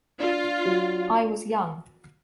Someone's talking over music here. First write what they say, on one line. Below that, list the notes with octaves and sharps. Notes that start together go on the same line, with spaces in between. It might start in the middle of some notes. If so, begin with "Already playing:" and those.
I was young.
D4 F4
F#3